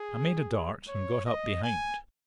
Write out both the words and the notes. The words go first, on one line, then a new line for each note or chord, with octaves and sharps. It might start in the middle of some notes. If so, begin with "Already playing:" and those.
I made a dart and got up behind.
Already playing: G#4
C#5
D#5
G#5